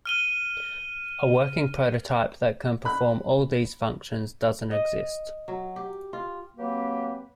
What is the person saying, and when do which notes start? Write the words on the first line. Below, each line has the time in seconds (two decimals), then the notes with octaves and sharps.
A working proto-type that can perform all these functions doesn't exist.
0.05 F6 D#7 G7
2.85 B5 F#6
4.71 D#5
5.48 F#3
5.76 G4
6.13 F4
6.57 F#3 A#3 C4 G4 B4